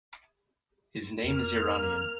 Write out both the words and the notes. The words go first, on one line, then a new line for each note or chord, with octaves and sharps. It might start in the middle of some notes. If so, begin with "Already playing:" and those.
His name is Iranian.
F2 A#3 F6